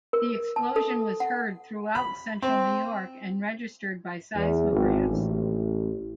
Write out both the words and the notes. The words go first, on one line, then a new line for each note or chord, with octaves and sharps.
The explosion was heard throughout Central New York and registered by seismographs.
A#4
A5
A4
F#5
B5
C4
E2
G#1
A1